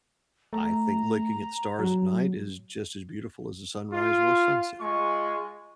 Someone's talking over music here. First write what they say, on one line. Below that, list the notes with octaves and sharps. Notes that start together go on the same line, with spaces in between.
I think looking at the stars at night is just as beautiful as a sunrise or a sunset.
A3 A#5
F#3
F4
G#3 F4 C#6